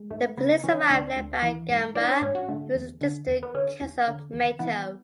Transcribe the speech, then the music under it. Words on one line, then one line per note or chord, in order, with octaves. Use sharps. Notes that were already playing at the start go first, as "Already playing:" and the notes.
The police arrive, led by Gamba, who is a distant cousin of Mateo.
Already playing: G#3
G#2 A3
C#3 B3
E3 C#4
D2 D4
D2
E3
G#2
E3 D4
C#4
G#2 C#4
F#4
D3 A3
E2
D3
E2
B3
D3 C#4
E2
D3
E2
E3 B3